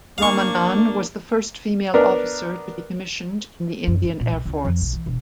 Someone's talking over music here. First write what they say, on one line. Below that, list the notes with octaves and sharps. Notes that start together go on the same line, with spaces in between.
Ramanan was the first female officer to be commissioned in the Indian Air Force.
A#3 D4 F5 C#6
B3 D4 A#4
F#2
G#2
A#2
B1
C#2
F2
B1
E3
E1